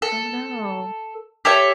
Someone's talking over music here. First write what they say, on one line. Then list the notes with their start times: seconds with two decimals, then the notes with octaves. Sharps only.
Oh no.
0.02 A4
1.45 G4 A4 C#5 E5